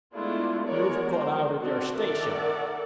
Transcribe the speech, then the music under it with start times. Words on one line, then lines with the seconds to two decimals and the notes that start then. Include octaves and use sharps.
You've got out of your station.
0.14 G#3 A3 B3 D4 E4 F4
0.66 G#3 B3 F#4 A#4 C#5 D5
1.07 A#4 C5
1.60 C4 D4 F#4
1.98 D#3 A4 A#4 D5 E5 F#5